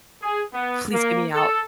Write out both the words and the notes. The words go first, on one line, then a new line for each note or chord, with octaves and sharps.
please get me out."
G#4
B3
A#3
A4